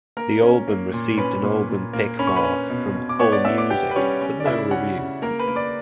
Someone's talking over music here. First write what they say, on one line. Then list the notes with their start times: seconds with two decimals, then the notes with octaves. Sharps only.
The album received an Album Pick mark from Allmusic but no review.
0.17 A#3 A#4 A#5
0.43 C#4
0.68 A#3
0.93 A#2
1.17 C#4 B4 B5
1.43 A#2
1.69 A#2
1.93 A#3
2.19 C#4 B5
2.27 C#6
2.36 B4 B5
2.44 C#4
2.70 B2
2.94 B2
3.09 D6
3.19 B3 C#5 C#6
3.32 D5 D6
3.45 B3 E5 E6
3.58 D5 D6
3.70 B3 G4 G5
3.91 B4
3.96 G3 C#4 C#5
4.21 C#4
4.40 D5
4.46 C#3 E4 E5
4.71 C#4 F#4 F#5
4.97 C#3
5.22 A#3 A#4 A#5
5.39 B4 B5
5.47 A#3
5.56 D5 D6